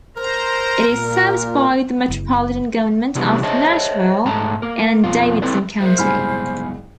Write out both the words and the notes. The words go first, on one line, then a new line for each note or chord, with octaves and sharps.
It is served by the Metropolitan Government of Nashville and Davidson County.
A#4 C5 A#5
A#2
F#1 E4
C3 E3 G3 B3 D4 G#4
G#4 C5 C#5 D#5 E5 A5
G#2 G#3 A3 A5 A#5
A#3 A#4
F2 B2 F4
C4 E4 A4 B4 D5
G3 A#3 F#4 G#4 C5 E5
F#1 C2 G#2 F#3 B3 G#5 B5 F6